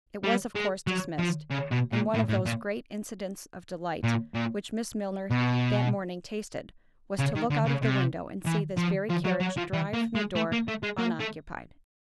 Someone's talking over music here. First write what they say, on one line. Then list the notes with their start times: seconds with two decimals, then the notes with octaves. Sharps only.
It was of course dismissed--and one of those great incidents of delight which Miss Milner that morning tasted, was to look out of the window, and see this very carriage drive from the door unoccupied.
0.24 G3
0.55 G#3
0.87 F#3
1.19 F3
1.50 C#3
1.71 B2
1.92 A#2
2.14 A2
2.29 A2
2.46 A#2
4.04 A#2
4.35 A#2
5.31 B2
7.19 C#3
7.36 D#3
7.51 D3
7.67 C#3
7.83 C3
8.46 E3
8.78 F3
9.10 F3
9.25 F#3
9.40 F#3
9.57 F3
9.73 E3
9.93 A#3
10.15 G#3
10.35 A3
10.52 A#3
10.68 A3
10.83 G#3
10.99 A#3
11.20 A3